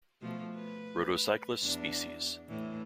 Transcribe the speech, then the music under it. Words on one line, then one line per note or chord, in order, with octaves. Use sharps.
"Rhodocyclus" sp.
B2 F3 A3
B4
E2 D4
A2 E3